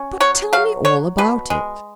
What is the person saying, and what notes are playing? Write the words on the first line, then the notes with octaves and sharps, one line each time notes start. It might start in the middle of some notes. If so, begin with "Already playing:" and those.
But tell me all about it!
Already playing: C#4
F#3 C#5
F#3 F5
F#3 C#5
B2 B4
G#3